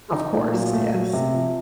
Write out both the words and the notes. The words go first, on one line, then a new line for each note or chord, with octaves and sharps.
Of course, yes.
D#4
A#2 A3
F#3
A3
F#3
C3
F3